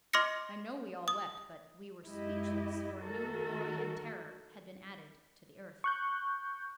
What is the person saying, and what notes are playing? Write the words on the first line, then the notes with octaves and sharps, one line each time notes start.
I know we all wept; but we were speechless, for a new glory and terror had been added to the earth.
D#5 C6 D6 F6 A#6 C#7
D#6
F#2 G#3 E4 G4 D#5
D#3 A3 F#4 A4 A#4
C#6 F#6 G6